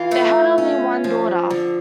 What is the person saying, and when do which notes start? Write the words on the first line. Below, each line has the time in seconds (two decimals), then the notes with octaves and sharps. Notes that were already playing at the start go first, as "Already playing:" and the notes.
They had only one daughter.
Already playing: E3 F4
0.11 A3
0.58 C#4
1.04 F3
1.50 D3